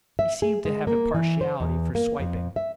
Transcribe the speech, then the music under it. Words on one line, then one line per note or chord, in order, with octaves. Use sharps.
He seemed to have a partiality for swiping.
E5
G#4
G#3
A#3
E3
C5
E2
A#3
F2
E5